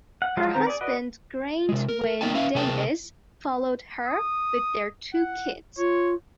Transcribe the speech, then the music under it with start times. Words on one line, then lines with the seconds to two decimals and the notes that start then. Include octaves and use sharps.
Her husband Geraint Wyn Davies, followed her with their two kids.
0.22 F#5
0.37 F3 F#3 G#3 F4
0.55 D#3 B3 C4 C5 A#5
0.67 G#4 D5
0.81 F#4 B4 D5 D#5 F#5
1.69 C3 G#3
1.89 A#4
2.21 B3 D#4 D#5 G5 A5
2.34 C#4 B4 E5 F5
2.55 C3 G#4 A#4 C5 G5 A5
4.07 D#6
5.14 F#5
5.78 F4 C#5